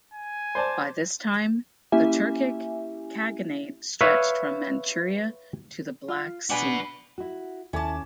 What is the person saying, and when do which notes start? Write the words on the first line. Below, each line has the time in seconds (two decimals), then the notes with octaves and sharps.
By this time the Turkic Khaganate stretched from Manchuria to the Black Sea.
0.14 G#5
0.55 C5 D5 A5
1.92 A#3 C#4 E4 G4 E5 G#5
4.01 B4 C#5 E5 F5
6.08 F4
6.50 D4 F#4 B4 G#5 B5
7.18 E4 F#4
7.73 D#2 C#4 E4 A4 A5 D6